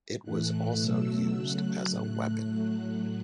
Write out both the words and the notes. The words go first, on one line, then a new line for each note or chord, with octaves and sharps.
It was also used as a weapon.
A2 E3 A3 F#6
B2 F#3 A3 E6
C#3 F#3 A3 F#6
A2 A3
A2 F#3 A3 F#6